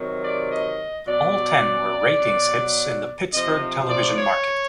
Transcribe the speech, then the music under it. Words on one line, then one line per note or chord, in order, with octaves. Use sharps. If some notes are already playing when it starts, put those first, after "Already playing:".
All ten were ratings hits in the Pittsburgh television market.
Already playing: C3 D#3 F#3
D5
D#5
B2 F#3 D5
B2 F#3
C3 F3 D#5
D5
C#5